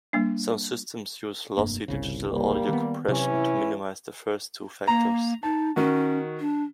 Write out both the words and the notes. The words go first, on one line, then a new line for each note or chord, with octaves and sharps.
Some systems use "lossy" digital audio compression to minimize the first two factors.
G3 A#3 D4
F1 G2 A#3
G1 C2 C#3
G3 A#3
D#3 B3
C3 E3 F#3 C#4 E4
A#3 A#5
D#4 A5
D#3 C#4 F#4
D4